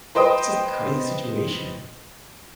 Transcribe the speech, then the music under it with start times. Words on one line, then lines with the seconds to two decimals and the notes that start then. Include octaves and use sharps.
it's just a crazy situation.
0.15 B4 C5 D#5 G5 D#6